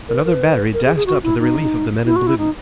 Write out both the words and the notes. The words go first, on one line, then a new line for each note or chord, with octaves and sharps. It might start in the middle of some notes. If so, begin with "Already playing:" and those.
Another battery dashed up to the relief of the men in blue.
A#4
B4
A#4
B4
A#4
G#4
G#4
F#4
E4
D#4
E4
F#4
E4
D#4